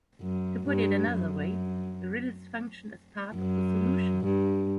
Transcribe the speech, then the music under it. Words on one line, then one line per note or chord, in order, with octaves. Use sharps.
To put it another way, the riddles function as part of the solution.
F#2
G2
F#2
F#2
G2